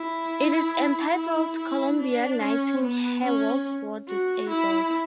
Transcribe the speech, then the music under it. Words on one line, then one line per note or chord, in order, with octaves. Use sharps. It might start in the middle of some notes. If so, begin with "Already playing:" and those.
It is entitled Columbia Knighting Her World War Disabled.
Already playing: E4
E4
E4
D4
C#4
B3
C#4
F#4
E4